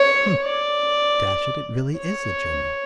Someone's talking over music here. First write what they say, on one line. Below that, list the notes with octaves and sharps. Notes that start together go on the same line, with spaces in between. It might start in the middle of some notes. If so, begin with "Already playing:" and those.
Hm, dash it, it really is a general!
Already playing: C#5
D5
C#5